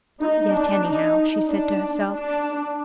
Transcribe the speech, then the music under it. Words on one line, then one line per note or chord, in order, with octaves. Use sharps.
"Not yet, anyhow," she said to herself.
D#4
D4
D#4
D4
D4